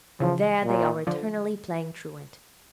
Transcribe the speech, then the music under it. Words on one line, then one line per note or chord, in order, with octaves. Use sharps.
There they are eternally playing truant.
C#3 E3 F3
A#2
D3 F3